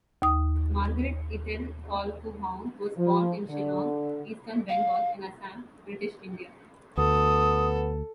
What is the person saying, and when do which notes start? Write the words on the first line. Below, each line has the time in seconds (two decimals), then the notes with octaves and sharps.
Margaret Ithell Colquhoun was born in Shillong, Eastern Bengal and Assam, British India.
0.22 D#2 D#6
2.97 F3
3.50 D3
4.69 F5
6.97 D2 B3 A4 D#6